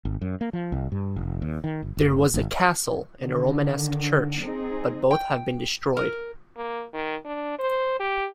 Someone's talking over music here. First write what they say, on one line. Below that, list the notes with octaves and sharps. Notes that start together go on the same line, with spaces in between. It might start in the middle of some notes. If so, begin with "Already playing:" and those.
There was a castle and a Romanesque church, but both have been destroyed.
G#1
F#2
A#3
F3
C2
G2
F1
D#2
D#3
G1
F#1
G#1
D3 D#3
C4 D#4 G#4
G5
A#4
A#3
D#3
D4
C5
G4